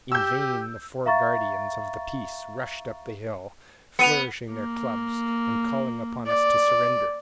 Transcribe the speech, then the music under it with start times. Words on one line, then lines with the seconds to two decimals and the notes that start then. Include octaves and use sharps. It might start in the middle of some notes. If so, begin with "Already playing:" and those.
In vain the four guardians of the peace rushed up the hill, flourishing their clubs and calling upon us to surrender.
0.12 G4 E6 G6
1.06 E5 F5 A#5 C#6 A6
3.99 B3 C#7 D#7 F7
4.51 A#3
6.27 D5